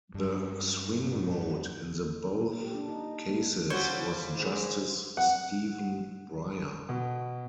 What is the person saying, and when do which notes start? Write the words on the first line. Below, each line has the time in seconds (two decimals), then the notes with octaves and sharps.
The "swing vote" in the both cases was Justice Stephen Breyer.
0.14 G2 F#3
2.41 A#3
2.62 G4
2.75 D4
2.89 D#4
3.30 A#3
3.70 C#3 F#3 G3 F#4 C5 C#5
4.35 G#2
5.17 F#5
6.89 B2